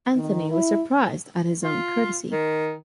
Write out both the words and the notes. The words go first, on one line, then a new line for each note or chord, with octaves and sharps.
Anthony was surprised at his own courtesy.
D#3
E4
F4
D#3